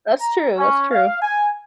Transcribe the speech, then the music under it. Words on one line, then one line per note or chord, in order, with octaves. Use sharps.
That's true, that's true.
A#5
C#4
F5
G#5